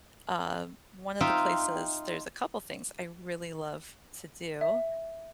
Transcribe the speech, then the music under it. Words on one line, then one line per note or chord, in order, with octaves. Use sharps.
uh, one of the places there's a couple things I really love to do,
D#4 F4 E5 G5
E5